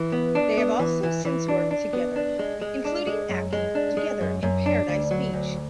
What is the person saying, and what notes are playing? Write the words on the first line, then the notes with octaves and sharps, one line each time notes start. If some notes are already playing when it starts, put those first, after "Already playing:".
They have also since worked together, including acting together in "Paradise Beach".
Already playing: E3
B3
D4
B3
E3
E3
E3
D4
D4
B3
D4
G#3
G#3
D4
G#3
F#2
G#3
D4
G#3
F#2
F#2
D4
D2
F#3
D2